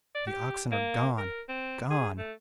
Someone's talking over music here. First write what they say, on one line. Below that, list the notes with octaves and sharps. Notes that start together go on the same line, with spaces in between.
The oxen are--gone--gone!'
D5
G4
A#3
A#4
C4
G#4
A3